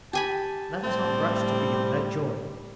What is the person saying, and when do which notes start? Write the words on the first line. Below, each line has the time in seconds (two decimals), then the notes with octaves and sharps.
Let us not grudge to the young their joy.
0.13 G4 G#5 A5 B5
0.83 A2 G3 C4